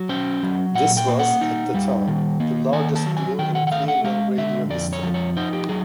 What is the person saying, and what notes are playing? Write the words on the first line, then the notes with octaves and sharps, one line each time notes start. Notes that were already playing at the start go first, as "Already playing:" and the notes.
This was, at the time, the largest deal in Cleveland radio history.
Already playing: F#3
C#4 C5
F#3
A#2 F#5
G5
A#3
F#5
D#4
G3
D#3
A#3
D#3 G#5
A5
F#3
G#5
D#3 G5
F#5
F#5
A3 F5
F#5
G#3 F5
D3 E5
F2 D5
C#5
F3
C#5
D#4 C5
G4
F#3 G#4